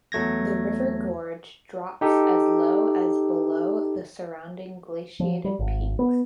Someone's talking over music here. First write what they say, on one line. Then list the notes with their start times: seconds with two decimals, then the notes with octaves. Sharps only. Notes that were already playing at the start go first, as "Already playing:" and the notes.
The river gorge drops as low as below the surrounding glaciated peaks.
0.12 E2 F#3 A3 G#6 A#6
2.01 D#4 G4 A4
5.20 F3
5.44 G3
5.59 G#1
5.99 B3